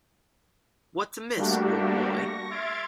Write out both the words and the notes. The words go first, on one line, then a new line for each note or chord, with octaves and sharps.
What's amiss, old boy?
G3 A3 A#3 D4 F#4 G4
C#6 A#6
E5 C6 F6 G#6 A6 D7